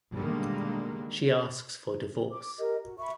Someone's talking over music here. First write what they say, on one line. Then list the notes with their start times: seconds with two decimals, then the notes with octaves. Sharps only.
She asks for divorce.
0.13 B2 D3 D#3 G3 G#3 A#3
2.32 D6
2.59 G4 A#4 D#5
2.84 F#4
2.99 E5 B5 C#6